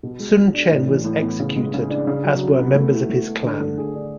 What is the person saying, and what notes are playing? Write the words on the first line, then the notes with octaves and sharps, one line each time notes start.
Sun Chen was executed, as were members of his clan.
B2
G#3
G#4
D4
A2
E3
A2
B3
C#3
G#3
C#3
D4
C#3
F#3
F#4
B3
A3
E4
A3
A4
D3
A3
G#4
D4